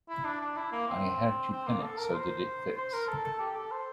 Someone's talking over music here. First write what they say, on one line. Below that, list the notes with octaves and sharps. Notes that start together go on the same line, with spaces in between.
I had to pin it so that it fits.
E4
D4
D4
E4
A#3
C4
C4
A#3
A4
A#4
C5
C5
A#4
A4
A4
G4
A4
C5